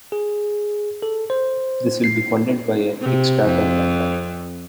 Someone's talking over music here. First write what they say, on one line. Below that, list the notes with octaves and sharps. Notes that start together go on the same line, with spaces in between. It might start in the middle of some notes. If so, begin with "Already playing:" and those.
This will be funded by a Kickstarter campaign.
G#4
A4
C5
C7
C3
F2